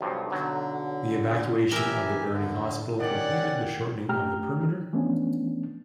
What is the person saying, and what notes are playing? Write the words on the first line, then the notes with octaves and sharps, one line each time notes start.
The evacuation of the burning hospital completed the shortening of the perimeter.
B1 G2 F3
B1 D3 F#3
E3 G4 A#4 E5 G#5
D3
D#3 C#4 G4 D5 F#5
A3 G4 G5 A#5 F6
E3 F3 A3 B3 C#4 D4